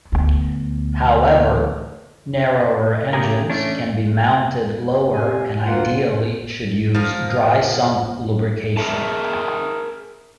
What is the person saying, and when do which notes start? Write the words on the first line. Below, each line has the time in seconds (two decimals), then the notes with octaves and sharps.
However, narrower engines can be mounted lower and ideally should use dry-sump lubrication.
0.12 D2 B3
3.13 C#3 A3 G4 G#4 A#4
3.50 A3 C#4 D4
5.13 C3 G#5
5.64 D2 A#3 F4 F#5
6.95 F3 A#4
8.77 G#4 A#4 B4 C#5 E5 A5